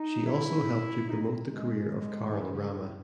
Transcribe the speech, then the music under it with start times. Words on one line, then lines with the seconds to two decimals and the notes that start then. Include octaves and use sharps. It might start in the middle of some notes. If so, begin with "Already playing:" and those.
She also helped to promote the career of Carol Rama.
Already playing: D#4
0.26 E4
1.08 D#4
1.22 C4
1.49 G#3
2.30 E3
2.52 C#3
2.72 A2